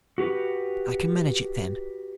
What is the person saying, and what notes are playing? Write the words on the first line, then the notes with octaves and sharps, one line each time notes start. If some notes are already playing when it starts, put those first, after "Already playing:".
I can manage it then.
F#4 G4 B4